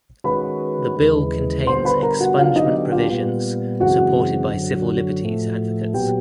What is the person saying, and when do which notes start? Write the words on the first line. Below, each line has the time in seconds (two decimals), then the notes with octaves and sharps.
The bill contains expungement provisions supported by civil liberties advocates.
0.24 D#3 G#3 C#4 F#4 B4 B5
0.96 D#2 C#3 E3 G#3
1.67 D3 G3 B3 C5 C6
1.85 B4 B5
2.02 A#4 A#5
2.20 F#4 F#5
2.39 D3 F#3 B3 D4 F4 G4 F5
2.55 D#4 D#5
2.92 F4 F5
3.10 A#2 G3 B3
3.80 F#2 C#3 E3 G#3 C4 F#4 F#5
4.52 F#2 D3 F#3
5.23 A2 F3 A3
5.94 A#2 F#3 B3 G4 G5